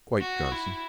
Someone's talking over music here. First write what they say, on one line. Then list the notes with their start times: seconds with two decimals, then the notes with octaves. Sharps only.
"Quite, Johnson."
0.21 F#4
0.52 E4